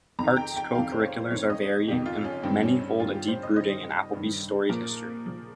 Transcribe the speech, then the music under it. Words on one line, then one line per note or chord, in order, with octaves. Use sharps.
Arts co-curriculars are varying and many hold a deep rooting in Appleby's storied history.
F2 D#3 A#5
G5
G5
F2 D#3 F5
C5
C#5
F2 D#3 C#5
D#5
F2 D#3 G4
F4
C#4
G2 D#3 C4
C#4
C#4
G2 D#3 F4
G4
C5
D#5
G2 D#3 D#5
G2 D#3
A#2 F3 A#4
A#2 F3